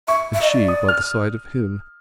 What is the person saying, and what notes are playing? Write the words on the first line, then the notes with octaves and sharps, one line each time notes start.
And she by the side of him!
E5 C#6
E5
D#5
D5
D#6
F6